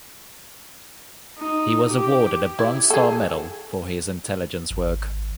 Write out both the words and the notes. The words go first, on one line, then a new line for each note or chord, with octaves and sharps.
He was awarded a Bronze Star Medal for his intelligence work.
D#4
G4
E4
G#4 A4
G#1